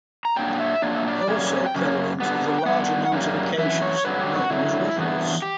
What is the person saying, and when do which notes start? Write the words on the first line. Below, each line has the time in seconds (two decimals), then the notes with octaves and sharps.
Also prevalent is a large amount of acacias, known as wattles.
0.25 A#5
0.36 A#2 F#3 A#3 D4 G5
0.60 E5
0.82 A#2 F#3 A#3 D4 D5
0.95 E5
1.07 D5
1.28 F#2 C#3 G3 A#3 C#4
1.66 G5
1.74 F#2 C#3 A#3 C#4
2.20 D3 G3 B3
2.59 G5
2.66 D3 G3 B3 F#5
3.12 F#2 E3 G3 A#3
3.58 F#2 E3 E5
3.82 C#5
4.05 G2 D3 F#3 B4
4.21 G4
4.36 F#4
4.50 G2 D3 F#3 E4
4.96 G2 E3 B3
5.42 G4